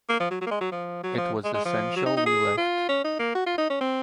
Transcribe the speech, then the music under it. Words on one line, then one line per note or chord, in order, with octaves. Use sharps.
It was essential we left.
A#3
F3
F#3
F#3
A#3
G#3
F#3
F3
F#3
F3
G#3
G#3
F3
F#3
D#4
D#4
G#4
F4
C#4
D#4
A#3
F#4
F4
D#4
C#4
C4